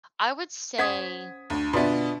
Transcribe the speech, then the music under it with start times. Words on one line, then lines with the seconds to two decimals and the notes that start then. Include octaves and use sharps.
I would say
0.78 C#4 C5 F#5 D#6 G#6 B6
1.50 D2
1.73 B2 D3 B3 F4 D5 E5